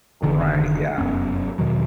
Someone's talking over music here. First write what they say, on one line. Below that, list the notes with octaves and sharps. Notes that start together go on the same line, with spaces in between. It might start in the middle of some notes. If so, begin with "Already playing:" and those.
Right. Yeah.
F1 D3 D#3
F1 F#2 B3 C#4
E2 B2 D#3 F#3